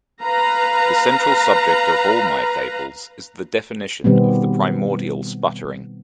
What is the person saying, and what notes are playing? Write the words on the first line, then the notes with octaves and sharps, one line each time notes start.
The central subject of all my fables is the definition of the primordial sputtering.
B4 F5 A#5
B2 D#3 G3 B3 C4